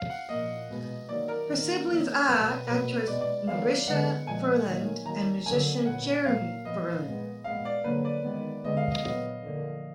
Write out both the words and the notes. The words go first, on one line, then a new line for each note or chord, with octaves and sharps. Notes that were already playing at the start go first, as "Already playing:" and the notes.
Her siblings are actress Marisha Ferland and musician Jeremy Ferland.
Already playing: F5
F#5
A#2 F3 A#3 D#5
B2 G#3 B3
D#3 F#3 A#3 D5
A#4
D#3 A#3
D#3 F#3 A#3
B2 F#3 B3 B4
B2 F#3 A#3 B4
B2 G#3 B3 D5
D5
D#3 F#3 B3 F5
D3 G#3 B3 F#5
A#2 F3 G#3 G#5
D#3 F#3 A#3
D#3 F#3 A#3 A#5
D3 F#3 A#3 G#5
A#2 F#3 B3 F#5
A#2 F#3 A#3 F5
A#2 F3 B3 D#5
A#2 G#3 B3
A#2 G#3 B3 F5
D5
D3 F#3 A#3 B4
D5
D#3 G#3 B3
D3 G#3 B3 D#5
F5
D#5
A#2 F#3 B3 D#5
D3 F3 A#3